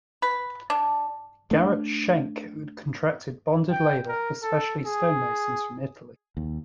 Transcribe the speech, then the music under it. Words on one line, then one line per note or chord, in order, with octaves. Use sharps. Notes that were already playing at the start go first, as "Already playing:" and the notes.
Garret Schenck contracted bonded labor, especially stonemasons from Italy.
B4
D4
A3 C4 D4
G5
A#4
A4
G#4
D#2